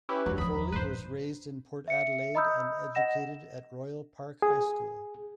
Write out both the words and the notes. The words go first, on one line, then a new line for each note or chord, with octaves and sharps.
Foley was raised in Port Adelaide and educated at Royal Park High School.
C#4 E4 G4 B4
E2 G2 F#3
D#2 F3 B5 D#6
A#5
G2 A#2 B4 C5
E5 C#7
D#5 A#5 B5 D#6 E6 G6
D#5 F#5 A#6 E7
G#4